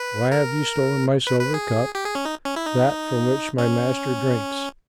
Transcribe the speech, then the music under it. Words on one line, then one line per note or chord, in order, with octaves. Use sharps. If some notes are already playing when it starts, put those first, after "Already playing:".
Why have you stolen my silver cup, that from which my master drinks?
Already playing: B4
A#4
B4
B4
G#4
G4
G#4
C#4
D#4
C#4
E4
D#4
C#4